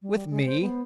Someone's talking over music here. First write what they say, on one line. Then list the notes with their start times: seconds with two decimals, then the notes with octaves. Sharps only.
"With me!"
0.02 G3
0.14 G3
0.30 G#3
0.46 C5
0.61 B3